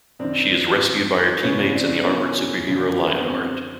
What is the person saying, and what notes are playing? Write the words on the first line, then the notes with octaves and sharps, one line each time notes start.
She is rescued by her teammates and the armored superhero Lionheart.
F#2 D#3 C4 D4
F#2 C#3 E3 B3 C#4
C4 D4
D4
B3 C#4
F#2 D3 F3
B3
C4